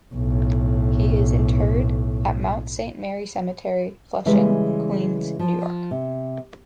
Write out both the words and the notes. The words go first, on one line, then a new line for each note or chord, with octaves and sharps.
He is interred at Mount Saint Mary Cemetery, Flushing, Queens, New York.
B1 A2
C#3 E3 G3 G#3 B4
F3
C3